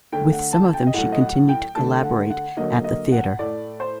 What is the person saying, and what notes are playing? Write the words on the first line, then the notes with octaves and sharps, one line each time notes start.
With some of them she continued to collaborate at the theatre.
D3 A3 G5
F#5
A5
G5
D#5
A2 F#3 A3 F#5
D#5
F#5
G5
D3 A3 A5
F#5
F#5
D3 F#3 A#3 D#5
D#5
F#5
A2 A3 D5
C5